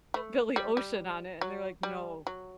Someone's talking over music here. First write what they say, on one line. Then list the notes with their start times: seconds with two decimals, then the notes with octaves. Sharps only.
Billy Ocean on it, and they're, like, "No,"
0.14 A3
0.56 G3
0.77 G3
1.41 F#3
1.83 G3
2.27 F#3